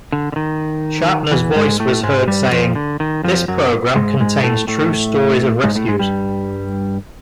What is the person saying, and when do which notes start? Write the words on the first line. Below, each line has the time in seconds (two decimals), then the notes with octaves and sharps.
Shatner's voice was heard saying: This program contains true stories of rescues.
0.12 D3
0.32 D3
0.36 D#3
1.32 E2 E3
1.56 G#2 G#3
1.80 A2 A3
2.03 G#2 G#3
2.28 G2 G3
2.51 F2 F3
2.75 D3
3.00 D#3
3.23 F2 F3
3.48 F#2 F#3
3.96 G#2 G#3
4.20 G#2 G#3
4.43 A2 A3
4.67 A2 A3
5.64 G#2 G#3
5.75 A2 A3
5.88 G#2 G#3
5.99 G2 G3